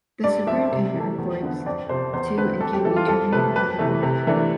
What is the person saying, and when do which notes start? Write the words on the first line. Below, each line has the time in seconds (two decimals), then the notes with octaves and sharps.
The Superintendent reports to and can be terminated by the Board.
0.24 G2 D5
0.47 F3 C4 E5
0.72 C3
0.94 E3 A3
1.18 E2
1.43 D3 F3 B3
1.66 F2 D5
1.89 C3 F3 C5
2.13 E2 C5
2.37 D3 A3 C4 B4
2.60 F2 A4
2.73 G4
2.85 E3 G3 A4
2.96 F4
3.08 F2 A4
3.32 C3 F3 A3 B4
3.56 F2 B4
3.79 C3 E3 A3
4.03 C3
4.27 E3 A3 D4